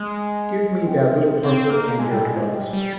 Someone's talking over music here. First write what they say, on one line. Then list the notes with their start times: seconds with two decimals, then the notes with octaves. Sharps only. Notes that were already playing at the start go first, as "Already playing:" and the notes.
Give me that little parcel and your gloves.
Already playing: G#3
0.87 C4
1.43 C4
1.70 A#3
1.99 G#3
2.10 G3
2.24 G#3
2.55 G3
2.73 G3